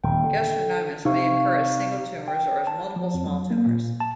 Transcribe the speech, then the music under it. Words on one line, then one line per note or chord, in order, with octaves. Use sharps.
Gastrinomas may occur as single tumors or as multiple small tumors.
D#1 G5
D3
C3 D#4 F5 C#6
G5
A5
F3
F2
F#3
A#3
A#2
A5